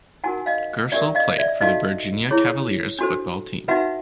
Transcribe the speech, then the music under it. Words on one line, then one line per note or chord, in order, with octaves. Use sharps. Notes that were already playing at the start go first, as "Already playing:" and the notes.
Gerstle played for the Virginia Cavaliers football team.
D#4 F#4 A#4 F#5 G#5
D#5 F5
D4 G4 A#4 D5 E5
D#5 F5
D5 E5
D#4 F#4 A4 D#5 F5
E4 G#4 C#5
D4 F#4 A4 C5
D#4 F#4 B4 E5 F#5